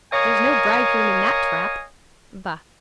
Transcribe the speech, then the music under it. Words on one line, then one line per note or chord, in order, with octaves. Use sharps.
"There's no bridegroom in that trap."
A#4 C#5 D#5 F5 G#5